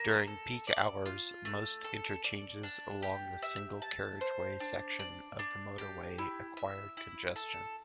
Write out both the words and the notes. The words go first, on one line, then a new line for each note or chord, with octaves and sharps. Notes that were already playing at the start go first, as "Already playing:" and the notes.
During peak hours, most interchanges along the single-carriageway section of the Motorway acquire congestion.
Already playing: A#3
A4
D5
F4
A3
A4
D5
D4
G4
E5
A5
C5
D4
D5
D4
G4
E4
E5
E4
A4